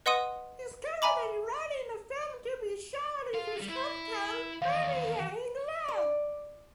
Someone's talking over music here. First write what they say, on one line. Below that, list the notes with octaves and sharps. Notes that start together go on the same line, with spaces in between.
He is currently writing a film to be shot in his hometown, Birmingham, England.
B4 D#5 F#5 C6 D#6 D#7
E5 G#5 A#5 B5 D6
F4 F5
G3 F#4
E4
E2 D#3 F5
D5